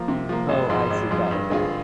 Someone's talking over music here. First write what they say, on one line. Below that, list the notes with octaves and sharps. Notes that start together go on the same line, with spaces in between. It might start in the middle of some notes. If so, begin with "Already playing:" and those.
Oh, I see, got it, got it.
Already playing: F3 A#3
C3
F3 A#3
G#1
G#2 F3
G#1
G#2 F3
G2
D3 G#3 C4 F4